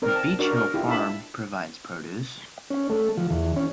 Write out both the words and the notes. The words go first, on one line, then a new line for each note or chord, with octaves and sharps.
Beech Hill Farm provides produce.
C4 A#4 D5
A5
D4 F#4 A#4 D5
A#4
E4 F4 G4
D4 E5 A5 B5
C#4
A3
F3
E2
C#4